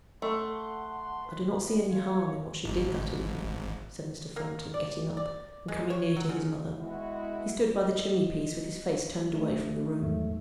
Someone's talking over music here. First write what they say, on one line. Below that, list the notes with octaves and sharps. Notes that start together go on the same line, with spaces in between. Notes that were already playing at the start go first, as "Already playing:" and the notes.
'I do not see any harm in what she did that evening,' said Mr. Thornton, getting up, and coming near to his mother; he stood by the chimney-piece with his face turned away from the room.
A3 F#5 A5 C6
B4
E2 A2
F4 C#5
G#1
A#3
D5
D5
G#3
C#5
F#3
C#3
G#3 B3 E4 F#4
D#5
A3 D4 E4
E2 G#2 F#3 A3